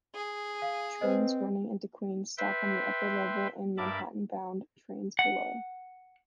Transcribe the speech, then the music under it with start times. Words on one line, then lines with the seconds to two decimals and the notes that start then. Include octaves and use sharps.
Trains running into Queens stop on the upper level and Manhattan-bound trains below.
0.15 G#4
0.62 F5
1.01 C4 B4 C5 D#5
2.38 B4 E5 G5 C6
3.77 G2 A#4 E5 A5 B5 D6
5.19 F#5